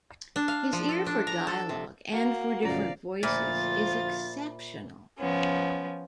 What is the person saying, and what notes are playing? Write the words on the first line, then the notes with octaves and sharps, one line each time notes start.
His ear for dialogue, and for different voices, is exceptional.
D4
F5
F3
A4
D4
A#5
A4
C3
A#3 F#4
F#2 A2 C#3 F3 D5 F5 A#5
D2 A#2 F3 F4 C5 E5 B5 A6
F3 B3 C#4